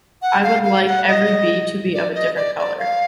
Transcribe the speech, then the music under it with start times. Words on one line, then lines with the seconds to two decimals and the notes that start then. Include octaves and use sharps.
I would like every bee to be of a different color!
0.22 F#5
0.43 F5
0.64 F5
0.87 F#5
1.08 D#5
1.93 D5
2.15 D#5
2.36 D5
2.58 D5
2.79 F5